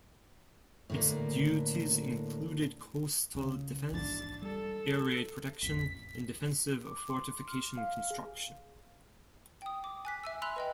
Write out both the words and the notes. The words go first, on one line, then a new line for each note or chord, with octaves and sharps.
Its duties included coastal defense, air raid protection and defensive fortification construction.
A2 D3 A#3
C#2 C#3
A#1 E2 G#2 D4 A6
G3 A4
A1 F2 B6
D6
C6
F6
F5
G#4
G5 D#6
D6
G#5 F#6 B6
E5 G#5 E6
B5 C6 E6 F#6 F7
B4 D#5 G5